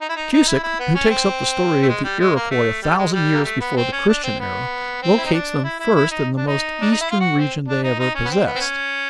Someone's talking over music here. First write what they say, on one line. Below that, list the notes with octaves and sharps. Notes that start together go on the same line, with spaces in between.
Cusic, who takes up the story of the Iroquois a thousand years before the Christian era, locates them first in the most eastern region they ever possessed.
D#4
E4
D#4
D#4
E4
E4
B3
C#4
C4
A3
G#3
G3
G#3
A#3
A3
G3
G#3
G3
A#3
A3
B3
C4
C#4
D4
C4
B3
C4
E4
D#4
D4
E4
E4
E4
D#4
D4
D#4
D4
D#4
E4
F4
F#4
C4
D4
D#4
D#4
C#4
B3
C4
B3
C4
C#4